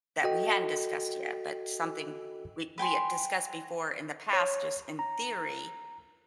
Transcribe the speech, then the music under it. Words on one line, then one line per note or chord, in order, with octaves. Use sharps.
that we hadn't discussed yet, but something we we had discussed before in the past just in theory.
F#4 A4 D#5 G5
B4 G5 G#5 C6
C#5
A#5